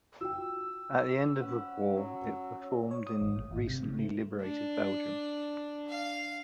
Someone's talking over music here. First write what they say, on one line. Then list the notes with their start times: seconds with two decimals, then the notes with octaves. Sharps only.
At the end of the war it performed in recently liberated Belgium.
0.21 F4 F#4 G5 E6
1.40 C#4 B4 F#5
1.96 F#3
2.91 C#5
3.06 D#6
3.21 G#1
3.36 A2
3.51 G#1
3.67 C3
3.85 C#3
3.99 A3
4.42 D4
5.89 F5